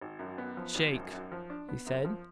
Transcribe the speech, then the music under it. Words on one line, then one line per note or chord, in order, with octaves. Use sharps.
"Shake!" he said.
G#1
F#2
B3
F3
G#1
F#2
F#2
F3
D4
B3
F#2
F3